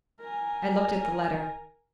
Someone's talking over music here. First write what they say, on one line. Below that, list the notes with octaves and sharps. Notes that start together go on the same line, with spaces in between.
I looked at the letter.
A#4 G#5